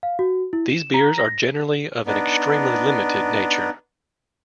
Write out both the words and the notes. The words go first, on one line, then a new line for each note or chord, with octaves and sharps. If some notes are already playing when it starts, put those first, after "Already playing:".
These beers are generally of an extremely limited nature.
F5
F#4
E4
E7
A#5
A#6
B3 D4 D#4